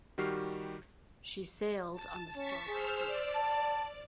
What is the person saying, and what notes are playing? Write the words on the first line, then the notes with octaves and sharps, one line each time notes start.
She sailed on the "Star of Peace".
D#3 G3 F#4 G4 F6 C7
A5
C#4 A5 C#6 B6
G#4 C5 E6 F6
D5
A5